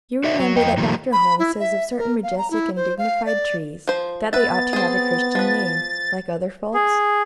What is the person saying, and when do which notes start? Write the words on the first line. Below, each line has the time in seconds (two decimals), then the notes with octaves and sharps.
You remember that Dr. Holmes says of certain majestic and dignified trees that they ought to have a Christian name, like other folks?
0.24 F#4 C#5 D5 E5
0.40 F#3
0.56 F2 D#5 G5
0.77 A#2 D#3 F3 G3
1.12 B5
1.39 E4
1.60 E5
1.99 A#4
2.23 F5
2.38 A#5
2.51 E4
2.76 C5
2.98 F5
3.26 D5
3.87 F3 C5
4.33 B3 B4 E5 A6
4.73 C4 G#4
5.35 F3 B4
6.74 G#4